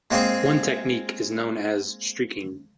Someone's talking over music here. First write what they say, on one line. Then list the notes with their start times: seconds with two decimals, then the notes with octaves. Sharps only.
One technique is known as "streaking".
0.11 G#3 A#3 C4 G#4 C5